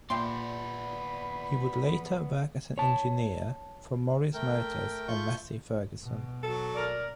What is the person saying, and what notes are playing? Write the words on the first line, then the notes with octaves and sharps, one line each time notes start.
He would later work as an engineer for Morris Motors and Massey Ferguson.
A#2 B3 D5 E5 G5 B5 C6
C#5 A5
A3 A#4 G5
A3 F4 C#6 G6
B2
F#3 A4
A#4 D5